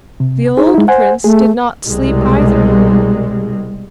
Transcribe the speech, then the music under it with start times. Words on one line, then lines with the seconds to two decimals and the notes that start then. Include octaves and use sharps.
The old prince did not sleep either.
0.20 C3
0.57 D#4 G#4 C5
0.74 G#3 E4
0.88 C5 F#5 G#5
1.24 A3 G#4
1.84 C2 B2 G3 G#3